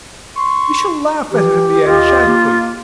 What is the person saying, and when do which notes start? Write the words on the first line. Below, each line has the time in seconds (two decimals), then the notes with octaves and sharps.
We shall laugh at it in the end, shan't we?
0.36 C6 C#6
1.31 E3 G4
1.85 D#2 F4 D#5
2.26 A#3